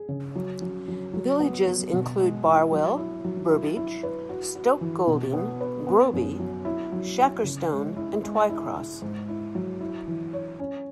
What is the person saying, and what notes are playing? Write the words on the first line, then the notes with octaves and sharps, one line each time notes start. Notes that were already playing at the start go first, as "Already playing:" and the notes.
Villages include Barwell, Burbage, Stoke Golding, Groby, Shackerstone and Twycross.
Already playing: G#4
C#3
F#3
F#3
F#3
F#3
B3
F#3
B2
G#3
E4
F#3
E4
F#3
E4
E4
B4
F#4
F#4
E3
B2
B3
B4
B3
F#2
F#3
E4
F#3
E4
C#3
G#3
E4
G#3
E4
E4
G#2
E4
F#3
E4
E3
C#5
C#4